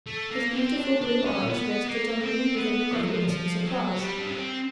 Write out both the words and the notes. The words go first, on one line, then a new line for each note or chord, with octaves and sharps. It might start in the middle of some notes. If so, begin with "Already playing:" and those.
His beautiful blue eyes rested on me with a look of innocent surprise.
A3
A#3
C4
D4
D4
C#4
B3
A#3
C4
B3
F3
F#3
F3
F3
F#3
G3
D4
C#4
C4